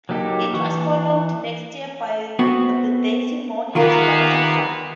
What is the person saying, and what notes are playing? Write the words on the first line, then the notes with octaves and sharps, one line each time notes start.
It was followed the next year by the Des Moines "Rising Son".
F#3 A#3 D#4 G4 A4
E3 C#6
B3 C4 F#4
C3 D#3 A#3 B3 F4 A#4